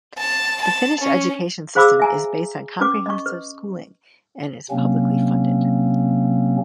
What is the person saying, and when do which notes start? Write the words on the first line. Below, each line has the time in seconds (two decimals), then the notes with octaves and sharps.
The Finnish education system is based on comprehensive schooling and is publicly funded.
0.19 A5
0.62 A5
1.01 C#4
1.75 G#4 C5 F5 B5 D6 E6
2.00 E5 G#5 A#5
2.81 C#4 B4 D6
3.06 D#5 C#6
3.26 B4
4.71 C3 F#3 A#3 C4 C#4